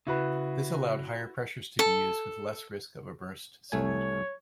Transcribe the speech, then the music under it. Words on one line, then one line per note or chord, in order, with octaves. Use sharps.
This allowed higher pressures to be used with less risk of a burst cylinder.
C#3 E4 F#4 B4
A4
C2 A3 C#5 G#5